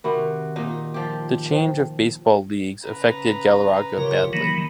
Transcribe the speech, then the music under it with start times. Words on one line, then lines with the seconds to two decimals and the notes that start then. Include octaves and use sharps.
The change of baseball leagues affected Galarraga badly.
0.04 C3 D#3 F#4 A#4 B5
0.56 A#2 D#4 D#5
0.94 F3 G4
1.51 C5 G5
2.84 C#3 B4 A#5
3.98 C#3 F4 G4 A#4 C#5
4.33 D#3 E3 F#3 A#3 D#4 B5